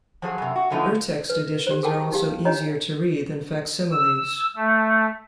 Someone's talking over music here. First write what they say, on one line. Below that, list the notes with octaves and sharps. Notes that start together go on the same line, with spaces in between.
Urtext editions are also easier to read than facsimiles.
F3 F#3 G#4
F#2 C3
F#4
F#2 A2 D3 F3 B3 D#4
B4
G4 C5
G#4 A#4 G5 A5
D#4 G4 F5
D4 C#5 D#5 A#5
E6
A3